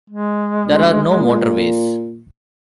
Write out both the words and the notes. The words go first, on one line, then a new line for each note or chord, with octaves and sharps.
There are no motorways.
G#3
D2
A#2